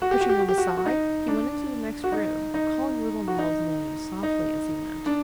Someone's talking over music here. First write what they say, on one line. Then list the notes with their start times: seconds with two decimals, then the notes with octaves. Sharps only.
Pushing them aside, he went into the next room, calling little Nell's name softly as he went.
0.02 F#4
0.11 G4
0.20 F#4
0.29 G4
0.39 F#4
0.49 G4
0.58 F#4
0.77 F#4
0.86 D#4
1.28 D4
2.04 F#4
2.12 D#4
2.54 D#4
3.28 F#4
3.38 D#4
4.23 D#4
5.06 D4